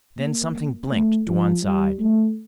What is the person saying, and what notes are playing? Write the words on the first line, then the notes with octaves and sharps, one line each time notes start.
Then something blinked to one side.
A#3
A3
F3
G3
A3